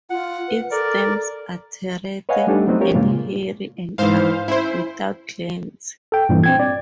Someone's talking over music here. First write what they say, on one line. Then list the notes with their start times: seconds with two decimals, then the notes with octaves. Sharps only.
Its stems are terete and hairy and are without glands.
0.10 F4 F#5
0.48 B4
0.71 A4 A#4 D5
2.29 B4 C#5 D#5 F5 F#5 G#5
2.47 G3 A3 D4 D#4 G4 A4
2.67 F#3 A3 B3 C4 D4 D#4
2.80 F4 G4 A#4 C#5
2.94 G2 A#2 C#3 G#3 A#3 F4
3.98 G#2 E3 C5 F5
4.48 C#4 E4 C5
6.12 A4 G5
6.29 G2 A#2 E3
6.44 C4 G5 G#6
6.59 D5